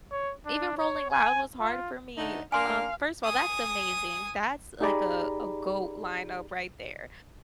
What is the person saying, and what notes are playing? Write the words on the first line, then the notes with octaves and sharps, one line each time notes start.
Even Rolling Loud was hard for me, w um, first of all, that's amazing, that's, like, a a GOAT lineup right there.
C#5
D4
C#5
G#5
F4
D3 A3 D#4
A#3 D4 F5 G#5 C6 F6
G#5 D#6
D#4 G4 G#4 D5 A#5 B5